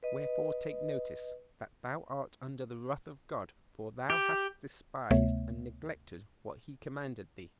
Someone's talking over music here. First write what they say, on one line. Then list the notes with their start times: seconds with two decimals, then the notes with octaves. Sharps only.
Wherefore take notice, that thou art under the wrath of God, for thou hast despised and neglected what he commanded thee.
0.03 B4 D#5
4.10 G4
5.11 D2 C3 A3 B3 C#5 E5